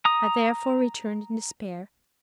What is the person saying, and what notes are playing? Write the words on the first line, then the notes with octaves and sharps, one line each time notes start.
I therefore returned in despair.
A#5 D#6